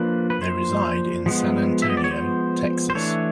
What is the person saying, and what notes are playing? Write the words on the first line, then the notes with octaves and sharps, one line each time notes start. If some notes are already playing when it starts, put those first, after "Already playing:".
They reside in San Antonio, Texas.
Already playing: F3 A#3 D4 B4
B4
C5
F3 G#3 B3
E5
D#5
D5
C#5
C5
C5
E3 A3 D4 C#5